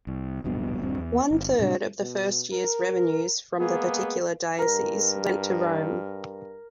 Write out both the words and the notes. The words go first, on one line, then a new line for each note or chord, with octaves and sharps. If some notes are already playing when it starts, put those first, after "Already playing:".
One third of the first year's revenues from the particular diocese went to Rome.
C2
D1 A#1 G2 B2
D#1 G2 C4
E2
G1
A2 C3 G3 D4
B2
A#4
G#3 A#3 B3 G#4
G2 A#4